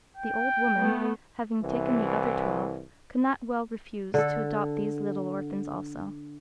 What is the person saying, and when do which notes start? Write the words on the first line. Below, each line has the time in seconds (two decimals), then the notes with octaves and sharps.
The old woman, having taken the other twelve, could not well refuse to adopt these little orphans also.
0.17 G5
0.78 A3 B3
1.62 C2 E3
4.14 D3 A4